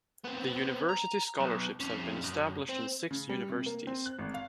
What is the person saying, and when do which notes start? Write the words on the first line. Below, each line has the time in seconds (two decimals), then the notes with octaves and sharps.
The University Scholarships have been established in six universities.
0.24 B3 C4
0.89 A#5
1.40 B1
1.80 F2 C#3
2.24 F#2
2.69 C4
3.11 C#3
3.29 G3
3.49 C3
3.66 A#3
3.87 C4
4.06 F#6
4.19 G#1
4.34 F5